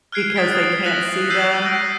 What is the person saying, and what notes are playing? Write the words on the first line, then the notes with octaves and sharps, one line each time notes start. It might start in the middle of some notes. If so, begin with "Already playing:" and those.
because they can't see them,
F6 F#6 G#6 C7 D7
D#6 A6 B6 D7
D#6
F#6 A#6 B6 F#7
E6 G6 B6 C7 D#7 F#7
E6 G6 A#6 D7